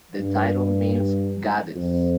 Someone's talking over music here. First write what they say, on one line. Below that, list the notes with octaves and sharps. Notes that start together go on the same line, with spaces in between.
The title means "Goddess".
G2
F2